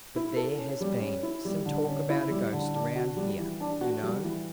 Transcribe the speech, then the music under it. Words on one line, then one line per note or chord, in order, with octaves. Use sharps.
"But there has been some talk about a ghost around here, you know."
E4
A4
C#4
G3
C#4
E4
G3
D3
C#4
E4
G3
D3
D4
F#4
G3
E3
D4
F#4
G3
E3